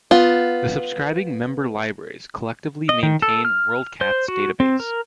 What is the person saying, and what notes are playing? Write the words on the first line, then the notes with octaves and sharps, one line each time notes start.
The subscribing member libraries collectively maintain WorldCat's database.
B3 F4
D#5
D#3
A4
F6
C5
F#4
C4
A#4